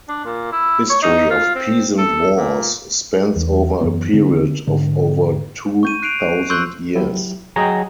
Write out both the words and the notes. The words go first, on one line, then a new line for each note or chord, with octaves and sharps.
History of peasant wars spans over a period of over two thousand years.
D4
A#2
E4
C#5
D#4
F4
C4
A4
A#2
E2
F#2 E3 B3
D3 B3 C4
G#2 D3
C#6 G6 D#7
F#6 C7 D7 D#7 F7
C6 C#6 E6 F#6 G6 F#7
F#3 E4 G4
F#3 G#4 C#5 D#5 G5 A#5